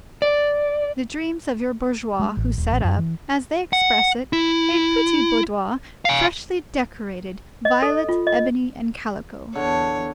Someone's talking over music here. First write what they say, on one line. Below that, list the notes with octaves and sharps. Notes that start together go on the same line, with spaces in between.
The dreams of your bourgeois who set up, as they express it: a pretty boudoir freshly decorated, violet, ebony and calico.
D5
G#3
A1
D#1
A1
F#2
E3
F#5
E4
F5 G#5
D#5
A4
F4
D#5
E2 D3 C#5